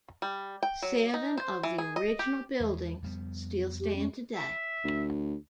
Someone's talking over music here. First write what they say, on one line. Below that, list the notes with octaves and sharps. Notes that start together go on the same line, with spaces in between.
Seven of the original buildings still stand today.
G3
G5
F#3
D#4
C5
E3
G#4
D#5
G4
E2 G#3
F2 G3 B3
G4
C#4
E5
D2